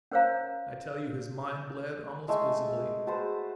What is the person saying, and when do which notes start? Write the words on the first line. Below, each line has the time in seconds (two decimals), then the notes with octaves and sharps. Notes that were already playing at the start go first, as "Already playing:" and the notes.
I tell you his mind bled almost visibly.
0.12 C#4 A#4 C5 C#5 F5 A#5
2.28 G#3 A3 G#4
3.07 F#4 A4 B4 C5